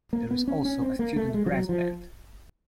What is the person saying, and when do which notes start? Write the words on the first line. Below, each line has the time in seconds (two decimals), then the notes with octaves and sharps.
There is also a student brass band.
0.13 A#3
0.31 B3
0.48 C#4
0.65 C#4
0.82 C4
0.99 A#3
1.16 A3
1.34 G#3
1.46 F3
1.52 F#3
1.69 F3